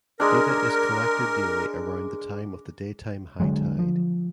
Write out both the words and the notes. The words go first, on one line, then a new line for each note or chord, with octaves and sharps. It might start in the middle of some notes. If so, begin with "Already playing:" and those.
Data is collected daily around the time of the daytime high tide.
G#3 D4 A#4
D3 D#3 F#3 G#3
F3